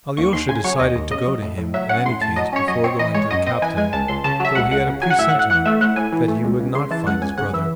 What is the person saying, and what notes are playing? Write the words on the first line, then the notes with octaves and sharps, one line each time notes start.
Alyosha decided to go to him in any case before going to the captain, though he had a presentiment that he would not find his brother.
D#2 C#6
D#2 C6
C#3 G#5
F#3 C#5
D#2 D#5
D#2
C#3 D#5
F#3
A2
A2
F#3 E5
C#4 F#5
A2 C6
A2 A5
F#3 D#5
C#4 C#5
F#2 D#5
C4 C#5
E3 D#5
G#3 C#5
F#2 D#5
C4 D#5
E3 G#5
G#3 G#5
C#2 A5
C#2 C6
C#3 A5
F#3 E5
C#2 F#5
C#2 F#5
C#3
F#3 G#5
F#5
A2 E5
F#5
A2
F#5
E3 F#5
A3 E5
A2 F#5
A2 G#5
E3
A3
C#2
C#2
C#3 C6
E3 A5
C#2 F#5
C#2 G#5
C#3 F#5
E3 E5